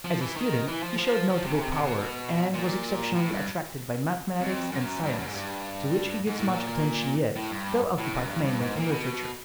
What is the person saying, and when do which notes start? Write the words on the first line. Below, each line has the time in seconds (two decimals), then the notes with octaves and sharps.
As a student he showed notable power, and was exceptionally attracted by mathematics and science, to which he gives much attention yet, though occupied mainly in literature.
0.05 F3
0.21 E3
0.36 D#3
0.67 E3
0.83 F3
0.98 F3
1.30 F3
1.44 C3
1.53 C#3
1.61 C3
1.71 C3
1.81 B2
2.54 A#2
3.16 A2
3.32 G2
4.41 F2
4.71 F#2
5.03 G2
5.18 F#2
5.27 G#2
5.34 G2
6.27 G#2
6.38 A2
6.47 A#2
7.36 A2
7.52 G2
7.98 A2
8.13 F#2
8.29 G2
8.45 G2
8.60 G#2
8.76 A#2
8.91 B2